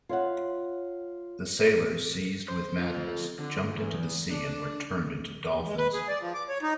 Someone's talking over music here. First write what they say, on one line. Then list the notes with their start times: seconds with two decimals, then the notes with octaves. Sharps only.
The sailors, seized with madness, jumped into the sea and were turned into dolphins.
0.09 F4 C#5 E5 F#5
2.48 C5
2.79 C4 F4
3.39 D3
3.70 E2 G#2
4.31 D4 D5
5.51 D#2
5.66 G#3
5.78 B4
5.94 G#4
6.08 D5
6.20 F3
6.34 D6
6.49 C#5
6.62 D#4